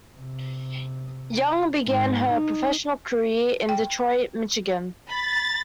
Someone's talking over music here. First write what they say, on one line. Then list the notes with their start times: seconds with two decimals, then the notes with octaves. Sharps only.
Young began her professional career in Detroit, Michigan.
0.16 C3
1.84 G#2
2.32 D#4
3.69 G5
5.08 B5 A6